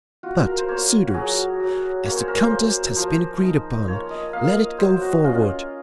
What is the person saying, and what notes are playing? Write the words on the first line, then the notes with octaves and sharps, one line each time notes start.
But, suitors, as the contest has been agreed upon, let it go forward.
F4 F#4
A#4
C5
A#3 C#5
F#4
F#3 G#4
F#3
A#3 C#5
C5
A#4
C5
A#3
F3 C5
D#4
A#3 C#5
D#5
A#3 F5
D#5
F#3 C5
F#4
C#4 F4